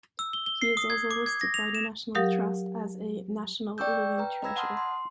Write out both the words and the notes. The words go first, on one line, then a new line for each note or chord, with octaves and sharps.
He is also listed by the National Trust as a "National Living Treasure".
E6
G7
G7
C7
D#6
G#6
D6
G#6
A#6
F7
E7
F#3 G4 A#4 F5 F#5 D#6
D5 G5 C#6 D6 E6 G6
B4 G5 A#5
D#5 A#5 B5 E6 G#6 A#6
F#5 A5 C6 D#6 F6
C6